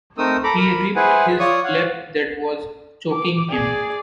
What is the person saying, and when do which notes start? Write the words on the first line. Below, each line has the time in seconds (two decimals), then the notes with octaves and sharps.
He ripped his flap that was choking him.
0.18 A3 C4 D#4 A#4 D#6 E6
0.44 A4 A#5 B5 D6
0.57 A#4 B5
0.96 E4 G#4 B4 C5 F#5 G#5
1.40 F4 C#5 D5 C#6 D#6
1.64 C#5 F5 F#5
3.11 D6
3.50 G#4 D5